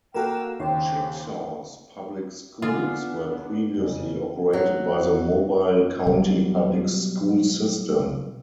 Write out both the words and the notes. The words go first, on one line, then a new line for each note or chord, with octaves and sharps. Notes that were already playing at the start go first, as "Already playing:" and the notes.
Chicksaw's public schools were previously operated by the Mobile County Public School System.
A#3 F#4 A4 F5 G5 A#5 E7
D#2 C#3 C4 G4 C5
D3 B3 D4 F4 G#4
F2 C#3
F#3
B2 F#3 G3